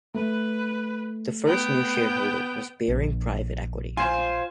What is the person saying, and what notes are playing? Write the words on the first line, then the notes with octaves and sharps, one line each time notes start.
The first new shareholder was Baring Private Equity.
A3 B4
B3 G5
A#1
F4 C5 G#5 C6